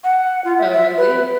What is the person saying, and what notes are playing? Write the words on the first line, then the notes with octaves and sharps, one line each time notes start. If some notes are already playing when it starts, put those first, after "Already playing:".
Oh, really?
F#5
F4
E5
E5
B4